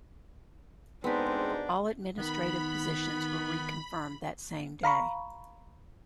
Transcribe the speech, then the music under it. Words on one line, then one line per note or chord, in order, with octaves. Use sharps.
All administrative positions were reconfirmed that same day.
D2 G#2 G#3 B3 C4 D4 D#4 B4
D#3 B3 D#4 B5
F5 A#5 B5 C#6